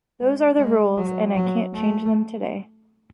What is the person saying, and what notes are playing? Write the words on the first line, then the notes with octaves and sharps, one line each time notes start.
Those are the rules and I can't change them today.
G#3
G#3
F#3
F#3
A3